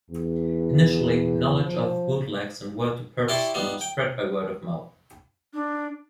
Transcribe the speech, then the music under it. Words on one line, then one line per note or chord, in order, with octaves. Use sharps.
Initially, knowledge of bootlegs and where to purchase them spread by word of mouth.
E2
F3
E4 G4 D5 A5 C6 C#6
G3 B3 D#4 F4
G5
D4